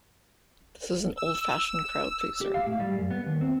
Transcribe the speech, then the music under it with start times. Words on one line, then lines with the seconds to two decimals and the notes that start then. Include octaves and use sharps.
This is an old-fashioned crowd-pleaser.
1.17 E6
2.41 G4
2.54 F5
2.67 A2
2.80 G3
2.97 F#2
3.11 B3
3.26 D#2
3.41 C4